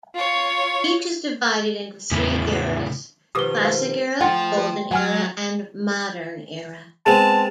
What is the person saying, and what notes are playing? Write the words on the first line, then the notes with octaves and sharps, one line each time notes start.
Each is divided into three eras: Classic Era, Golden Era, and Modern Era.
F4 C#5
E2 A2 C#3 E4
B2 D#3 F3 G4 B4 D6 D#6 G7
F5
F3 A3 F4 F#5 G5 C6
B4
F#3 F#5 G#5 F6
G#3 B3 C4 A5